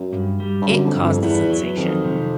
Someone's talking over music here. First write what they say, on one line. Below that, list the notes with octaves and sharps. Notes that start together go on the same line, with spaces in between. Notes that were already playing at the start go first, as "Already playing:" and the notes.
It caused a sensation.
Already playing: F#2
G2
G3
G2
F#2 D3
F2
G2
F2
E2 B3
F#3
F2 D#3
C3